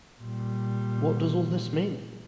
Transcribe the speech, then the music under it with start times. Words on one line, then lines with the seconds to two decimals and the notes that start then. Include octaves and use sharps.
What does all this mean?
0.20 A#2 G3